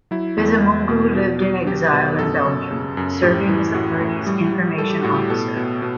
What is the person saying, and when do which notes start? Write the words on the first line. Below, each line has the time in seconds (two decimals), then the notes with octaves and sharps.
Bizimungu lived in exile in Belgium, serving as the party's information officer.
0.11 F#3 E4
0.37 E2
0.63 E2
0.89 B2
1.14 B2 F#4
1.41 F#3
1.67 F#3 G4
1.93 B2 B4
2.19 F#2 A4
2.45 F#2
2.71 C#3
2.97 F#2
3.23 A2 G4
3.49 E3 E4
3.74 A2 F#4
4.01 A2
4.27 G3
4.52 G3
4.78 G3 A4
4.90 G4
5.03 A2 F#4
5.15 G4
5.30 B2 A4
5.57 B2
5.82 B2